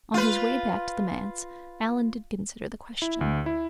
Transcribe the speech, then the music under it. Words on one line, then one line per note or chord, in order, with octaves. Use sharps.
On his way back to the manse Alan did consider the question.
F4 B4
E4
D2
E4